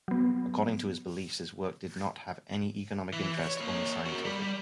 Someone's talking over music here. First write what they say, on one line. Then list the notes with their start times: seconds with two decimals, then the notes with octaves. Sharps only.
According to his beliefs, his work did not have any economic interest, only scientific.
0.08 F#3 B3
3.13 E3
3.38 C#5
3.57 A#3 C#5
4.06 F#4 A#4
4.25 G3